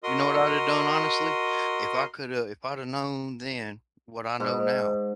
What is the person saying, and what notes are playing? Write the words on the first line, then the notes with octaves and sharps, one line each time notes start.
You know what I would've done, honestly? If I coulda if I'd have known then what I know now,
F#4 A#4 D#5 C6 D#6
G#2